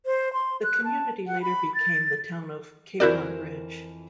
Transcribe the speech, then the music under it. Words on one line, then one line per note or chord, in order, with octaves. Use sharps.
The community later became the town of Capon Bridge.
C5
C6
F#6
A5
F#5
B5
A6
F2 E3 E4 F#4 A#4 C5 D5